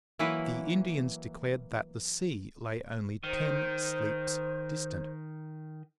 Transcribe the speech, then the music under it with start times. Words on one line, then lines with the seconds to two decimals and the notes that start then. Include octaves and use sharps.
The Indians declared that the sea lay only ten 'sleeps' distant.
0.19 E3 F#3 A#3 E4 B4
3.24 D#3 C5